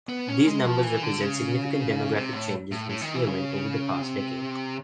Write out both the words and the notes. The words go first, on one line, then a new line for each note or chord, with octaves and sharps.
These numbers represent significant demographic changes in Spearman over the past decade.
B3
C#4
G#3
F3
E3
D3
C#3
C3
A2
A2
A2
D#3
E3
C#3
C3